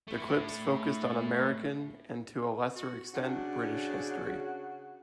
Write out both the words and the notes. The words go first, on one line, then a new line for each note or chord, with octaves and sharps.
The clips focused on American, and to a lesser extent, British history.
A3 E4
F#4
C#3 D4 F#4